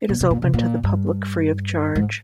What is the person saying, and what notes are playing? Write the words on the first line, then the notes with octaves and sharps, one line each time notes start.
It is open to the public free of charge.
A#2
C3
A#2
C3
A#2
G2
G#2